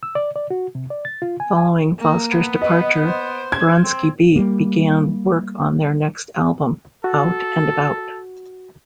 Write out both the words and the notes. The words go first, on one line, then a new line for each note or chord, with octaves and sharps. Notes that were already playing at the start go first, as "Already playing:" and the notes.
Following Foster's departure, Bronski Beat began work on their next album, "Out and About".
E6
D5
D5
F#4
C3
D5
A6
F4
G#5
G#5
A#3
B3
B4 D#5
C5
G#6
C4
G3 A#3
F#4 A4